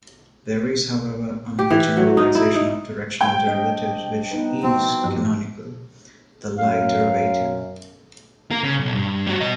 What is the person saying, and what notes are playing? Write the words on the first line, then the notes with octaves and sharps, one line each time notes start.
There is however another generalization of directional derivatives which "is" canonical: the Lie derivative.
G4
E3
F#3
D#4
E4
D#4
G3 C4 G5 G#6
C4 D4 D#5
B3 D#4 B4
F3 C4 F#4
G2 F3 A#3 G4
F#2 F5
A#3 A#4
C#3
B1
G2
G3 F#4
B2 D#5